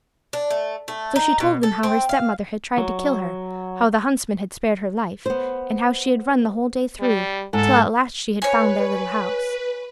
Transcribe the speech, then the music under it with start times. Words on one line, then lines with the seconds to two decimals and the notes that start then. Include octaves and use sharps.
So she told them how her stepmother had tried to kill her, how the huntsman had spared her life, and how she had run the whole day through, till at last she had found their little house.
0.33 D4
0.50 A3
0.88 A3
1.16 D#4
1.40 B2
1.63 A4
1.83 C4
2.09 F5
2.78 F#3
5.26 B3 C5
7.00 G3
7.53 G#2 A4
8.42 B4 C#5 G#5